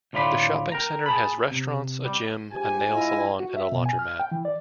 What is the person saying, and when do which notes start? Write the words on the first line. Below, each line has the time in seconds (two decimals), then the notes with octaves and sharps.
The shopping center has restaurants, a gym, a nail saloon, and a laundromat.
0.13 D2 A2 F4 D5 B5 C6
0.72 A#4 G5 A#5
1.06 G#4 A5 B5
1.51 C3
2.05 G3
2.52 A#1 G#2 G4 G#5
2.91 E4 F4 D#5
3.40 F#4
3.57 E5
3.72 B2
3.86 G#5
3.99 F6
4.20 G5
4.32 E3
4.45 D5